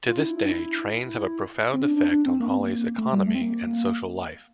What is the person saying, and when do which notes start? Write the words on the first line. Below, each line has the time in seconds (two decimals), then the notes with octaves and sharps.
To this day trains have a profound effect on Holly's economy and social life.
0.08 F4
0.19 D4
0.23 E4
0.37 E4
0.46 D4
0.52 E4
1.74 C4
1.82 D4
1.96 D4
2.11 D4
2.26 C4
2.40 A#3
2.49 C4
2.58 A#3
2.98 A3
3.13 G3
3.27 A3
3.35 C4
3.42 A#3